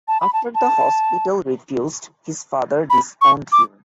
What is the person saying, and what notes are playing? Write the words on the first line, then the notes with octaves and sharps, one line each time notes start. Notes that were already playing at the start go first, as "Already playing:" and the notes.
After the hospital refused, his father disowned him.
A5
B5
A5
A5
B5
C#6
D6